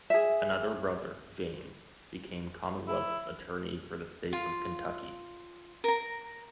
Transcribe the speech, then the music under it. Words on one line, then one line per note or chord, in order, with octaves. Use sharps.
Another brother, James, became Commonwealth's Attorney for the state of Kentucky.
G#4 E5
E4
F4
A#4 A#5